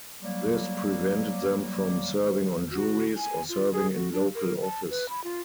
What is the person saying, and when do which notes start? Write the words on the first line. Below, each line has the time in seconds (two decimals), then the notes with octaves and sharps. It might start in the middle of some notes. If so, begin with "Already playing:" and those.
This prevented them from serving on juries or serving in local office.
0.23 F#3 G3 A#3
2.71 F#4
3.17 G#5
3.49 F4
3.72 G#4
3.95 F#4
4.12 D4
4.35 A#4
4.62 A5
4.90 B4
5.09 B5
5.24 F4